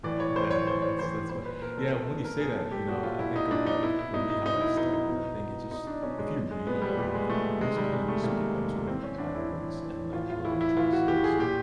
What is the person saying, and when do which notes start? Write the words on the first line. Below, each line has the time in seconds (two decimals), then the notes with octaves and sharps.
Tha that's that's what. Yeah. When you say that, you know, I think of, like, for me, how I started, I think it just if you read a lot of comics, you kind of just pick up sort of the patterns and, like, little intricacies
0.03 A2 E3 D5
0.20 C#5
0.35 A2 E3 C5
0.51 C#5
0.67 A2 E3 C5
0.82 C#5
0.99 A2 E3 C5
1.29 A#2 C5
1.45 B4
1.62 A#2 A#4
1.78 A4
1.93 A#2
2.25 A#2 A#4
2.40 G#4
2.56 A#2 A4
2.72 G4
2.88 A#2 F#4
3.03 F4
3.19 A#2 E4
3.36 D#4
3.51 A#2 D4
3.66 D#4
3.83 B2 E4
3.99 E4
4.14 B2 D#4
4.30 D#4
4.45 B2 D#4
4.61 E4
4.76 B2 D#4
4.93 D#4
5.09 B2
5.40 B2
5.71 B2 D#4
5.87 D4
6.03 B2 C#4
6.18 G#3
6.35 A#2
6.51 G#3
6.67 A#2 B3
6.82 G3
6.97 A#2 G3
7.14 G#3
7.30 A#2 A3
7.60 C3 D#3 G#3
7.77 G3
7.92 C3 D#3 G#3
8.08 A3
8.24 C3 D#3 A#3
8.56 C3 D#3
8.87 A2 E3 C4
9.03 C#4
9.18 A2 E3 D4
9.35 E4
9.50 A2 E3 E4
9.82 A2 E3
10.13 A2 E3 F4
10.30 F4
10.45 A2 E3 E4
10.61 E4
10.77 A2 E3 F4
10.93 F#4
11.08 A2 E3 G4
11.24 G#4
11.39 A#2 G4